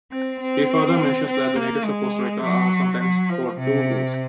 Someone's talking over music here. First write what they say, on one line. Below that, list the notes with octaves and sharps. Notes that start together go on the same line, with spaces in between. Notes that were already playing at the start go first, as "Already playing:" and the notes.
He further mentions that the natives of Costa Rica are sometimes called "goo-goos".
C4
C4
C4
A#3
G#3
F#3
F#3
F3
C3